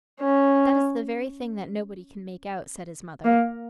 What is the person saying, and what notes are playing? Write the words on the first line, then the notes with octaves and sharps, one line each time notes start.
"That is the very thing that nobody can make out," said his mother.
C#4
A#3